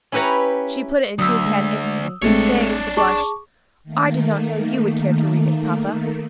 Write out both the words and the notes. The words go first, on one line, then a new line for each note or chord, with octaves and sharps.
She put it into his hand instantly, saying, with a blush, "I did not know you would care to read it, papa."
C#4 E4 G4 B4 F#5 A#5
D2 F#3 D#6 E6
G#3
A1 G#3 A3 C4 D4 C#5
G#4 A5 C#6 D6
D#3 A3 A#3